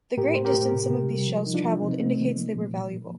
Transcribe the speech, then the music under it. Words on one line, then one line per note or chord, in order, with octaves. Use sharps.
The great distance some of these shells traveled indicates they were valuable.
A2 G4 A#4
A2 C5
G4 A#4
A2
C3
C3
G3
F3
F3 D#4
D4 F4
F3
C3 C4 D#4
C3 A3 C4
C4
D#3 A#3
F3
A#2
F3
A2